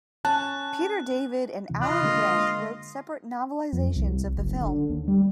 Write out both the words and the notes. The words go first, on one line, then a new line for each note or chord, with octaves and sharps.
Peter David and Alan Grant wrote separate novelizations of the film.
C#4 A5 F#6
D2 C3 E3
F4 D#5 B5 F#6
D3 G#3 A#3
F2
C2
F#1
D3
D#2
G3